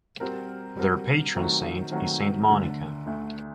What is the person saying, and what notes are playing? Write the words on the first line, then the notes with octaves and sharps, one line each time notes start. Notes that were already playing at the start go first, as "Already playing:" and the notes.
Their patron saint is Saint Monica.
G3 C4 F#4 A#4
G3 C4 F#4 A#4
D#3 F#3 A3 C4 F#4
D#3 F#3 A3 C4 F#4
D2 D3 A3
D2 D3 A3